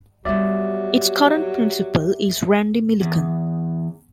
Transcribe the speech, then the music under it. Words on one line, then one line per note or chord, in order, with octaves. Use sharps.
Its current principal is Randy Milliken.
F#3 G3 B3 G4 D5 E5
E2